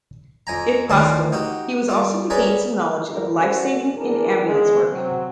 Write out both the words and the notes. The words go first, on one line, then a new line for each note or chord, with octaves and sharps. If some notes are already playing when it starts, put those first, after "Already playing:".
If possible, he was also to gain some knowledge of "life-saving and ambulance work".
F2 G#5 A#5
D2 D#3 C#4 D4 A5 C6
D#4 F#4 G4
G3 F4
C#4 G#4 A#4 B4 D5 B5
D2 G2 E3 G3 A4 A#4
C#4 F#4 A4 A#4 C5 D5
E2 E3 D4 G#4 A#4
E2 C#3 G#3 G#4
C3 F#3 C4